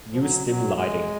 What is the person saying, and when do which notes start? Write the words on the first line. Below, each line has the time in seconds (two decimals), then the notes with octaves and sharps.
Use dim lighting.
0.12 F3
0.19 F#3
0.47 F#3
0.76 G#3